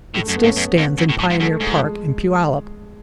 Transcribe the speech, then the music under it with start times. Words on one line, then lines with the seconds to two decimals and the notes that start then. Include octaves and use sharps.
It still stands in Pioneer Park in Puyallup.
0.14 A2 A3
0.26 F#2 A3
0.36 B3
0.43 G#2
0.47 C#4
0.56 F#2 B3
0.77 F2
0.98 F#2
1.09 A2
1.19 A2
1.30 G#2
1.40 F#2 A3
1.50 A3
1.60 G#2 G#3
1.71 F3
1.81 G#3